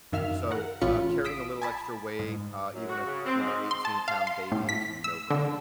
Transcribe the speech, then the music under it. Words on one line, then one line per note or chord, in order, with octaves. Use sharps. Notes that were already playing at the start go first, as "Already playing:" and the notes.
So, uh, carrying a little extra weight, uh, even if, you know, eighteen-pound baby is no problem.
F#2 D#3 E5 F5 F6
A#4 F#5
A1 A2 C#4 F4 B5 C#7
C6 D#6 E6 B6 D7
G#5 A5 B5
G#2
F#2
F#4
C#3
C4
G#2
C6
A5
F5
C6
A2
B6
E6
D3